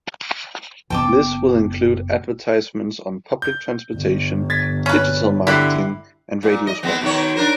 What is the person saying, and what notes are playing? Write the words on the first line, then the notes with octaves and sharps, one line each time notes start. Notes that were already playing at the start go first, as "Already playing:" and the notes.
This will include advertisements on public transportation, digital marketing, and radio spots.
F#1 B3 G5 A5 D6
G6
G1
G#6 A6 B6
C#4 B4
D3 E4 G4 F#6 C7
A#2
D#5
G#3 B3 C4
B2 D#3 C#5
D4 A#4 C5